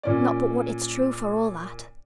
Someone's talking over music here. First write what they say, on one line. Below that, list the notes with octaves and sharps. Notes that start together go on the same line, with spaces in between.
Not but what it's true for all that.'
A#2 C#4 D5